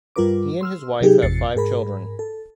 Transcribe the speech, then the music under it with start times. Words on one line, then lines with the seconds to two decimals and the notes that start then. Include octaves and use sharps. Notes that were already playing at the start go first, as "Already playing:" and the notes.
He and his wife have five children.
0.16 G2 G3 F4 A#4 B4 D6
0.61 C6 E6 F6
1.01 C3 F#3 D#4 G4 G#4
1.22 G#1 F2 C3 A6 C7 C#7
1.56 G#2 G#4 A#4 B5
2.19 A4